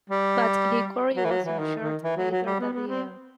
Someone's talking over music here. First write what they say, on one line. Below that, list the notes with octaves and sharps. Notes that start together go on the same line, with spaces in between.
But Liquori was injured later that year.
G3
F#3
E3
F#3
E3
D#3
D#3
E3
F#3
F#3
G3
B3
B3
C4